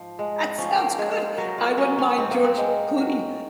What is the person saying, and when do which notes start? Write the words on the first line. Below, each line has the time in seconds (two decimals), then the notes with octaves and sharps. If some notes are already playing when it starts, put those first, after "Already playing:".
That sounds good! I wouldn't mind George Clooney-
Already playing: G#2 F3
0.19 G#3
0.58 F3 C#4
0.79 A#3
0.98 G#3 G#4
1.19 C5
1.38 F#3 A#4
1.58 F4
1.77 F#3 C#4
1.98 C#4
2.17 G#2 C4
2.31 A#3
2.44 C4
2.58 G#3
2.98 F#3